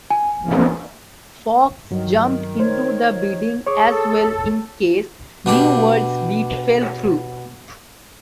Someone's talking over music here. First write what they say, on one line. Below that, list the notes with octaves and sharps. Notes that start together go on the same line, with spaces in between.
Fox jumped into the bidding as well in case New World's bid fell through.
G#5
G2 D#3 F#3
C5 C#5
G#4 C#5 C#6 D6
A4
B2 D4 G4